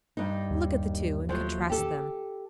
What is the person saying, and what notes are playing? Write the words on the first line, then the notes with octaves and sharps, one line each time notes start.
Look at the two, and contrast them.
G2 D#4
D#2
F3 F#3 A3
G4 A4